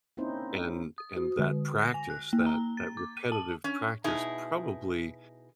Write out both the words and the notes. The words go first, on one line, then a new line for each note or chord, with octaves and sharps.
And and that practice, that that repetitive practice probably
A#3 C4 C#4 D#4 E4 C5
D#6
F#4
D3
A#6
G#5
F#6
A#3
A#5
A6
D6
D#7
A5
C#4
B2 D#4 E4 G#4